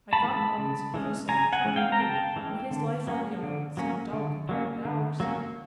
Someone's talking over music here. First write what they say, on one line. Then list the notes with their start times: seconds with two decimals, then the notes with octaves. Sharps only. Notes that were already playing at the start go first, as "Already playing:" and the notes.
I got "Robinson Crusoe" and tried to read, but his life on the island seemed dull compared with ours.
0.13 A5 B5
0.23 E3 G#3 C#4
0.58 C#3
0.94 E3 G#3 C#4
1.29 C#3 G#5 A#5
1.53 F#5 G#5
1.64 E3 G#3 C#4
1.76 F5 G5
1.92 A#5
2.00 C#3 G5 A5
2.36 E3 G#3 C#4
2.71 D3
3.07 F#3 A#3 C#4
3.43 D3
3.77 F#3 A#3 C#4
4.13 D3
4.49 F#3 A#3 C#4
4.85 D3
5.20 F#3 A#3 C#4